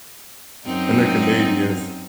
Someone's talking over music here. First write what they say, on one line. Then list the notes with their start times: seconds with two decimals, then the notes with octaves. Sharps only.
and they're Canadians.
0.65 F#2 C4 D#4